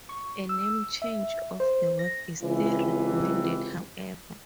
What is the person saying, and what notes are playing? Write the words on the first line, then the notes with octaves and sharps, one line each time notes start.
A name change of the work is still recommended, however.
C#6
E6
E5
C5
A#6
C#2 C3 E3